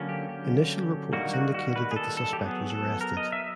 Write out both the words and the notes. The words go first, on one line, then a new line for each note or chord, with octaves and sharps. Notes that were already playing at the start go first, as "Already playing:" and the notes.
Initial reports indicated that the suspect was arrested.
Already playing: D3 F#3 A#3 C#4
G4
G4
D#3 G3 A#3 F#4
F#4
F#4
B4
G#4
A4
A4
G4
F#3 B3 G#4
A4
A#4
D#5
E5